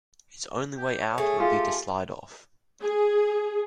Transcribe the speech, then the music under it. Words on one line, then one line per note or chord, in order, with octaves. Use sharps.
His only way out would be to slide off.
G4
C#5
A3 G#4
F4 G4 G#4 C6
G#4